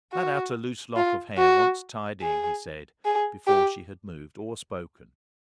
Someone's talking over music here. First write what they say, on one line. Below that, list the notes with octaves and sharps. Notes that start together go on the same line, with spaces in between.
"That outer loose lock of hair wants tidying," he said, before she had moved or spoken.
F#4
F4
F#4
G#4
G#4
G4